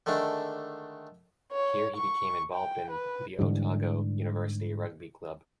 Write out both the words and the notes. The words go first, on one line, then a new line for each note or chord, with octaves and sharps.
Here he became involved in the Otago University Rugby Club.
D3 D#3 G#3 A3 D4
C#5
C#6
G5
B4
G#2 D3 E3 G3